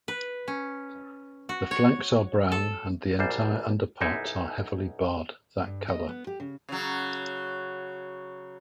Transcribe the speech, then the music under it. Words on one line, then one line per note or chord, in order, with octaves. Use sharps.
The flanks are brown, and the entire underparts are heavily barred that colour.
B4
C#4
F#4
C#5
A4
A#1 F#2 G3 C5
B1 F#2 G3 D#4 E4 E5
G2
D#5
B3
G4
C#3
C#3 F#3